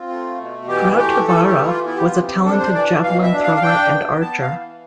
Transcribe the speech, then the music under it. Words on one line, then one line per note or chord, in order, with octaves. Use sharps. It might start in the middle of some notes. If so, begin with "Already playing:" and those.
Rautavaara was a talented javelin thrower and archer.
Already playing: C4 F4
A3
B2
E3 G4
A3 G4
E3 A4
G4
E3
E4
F4
B3 E4
G4
F4
C3
G4
D4 A4
C5
E3 D5
B2 F5
E5
D4
F5
F5
D4 G5
B3
B3 A5
F5
E3